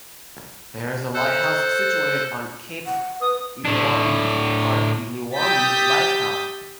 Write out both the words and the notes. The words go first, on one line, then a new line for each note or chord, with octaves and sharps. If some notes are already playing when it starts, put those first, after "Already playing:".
There is a lighthouse situated on Cape Eluanbi, called Eluanbi Lighthouse.
A4 C5 F#6
F#5
B4 D#6
A2 D4
G4 D#6 E6 G6 A6 B6